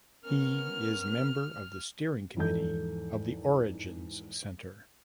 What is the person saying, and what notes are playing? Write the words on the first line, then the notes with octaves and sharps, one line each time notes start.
He is member of the steering committee of the Origins Center.
B3 C#4 A#4 F6
E2 G#2 F3 D#4 A4 G6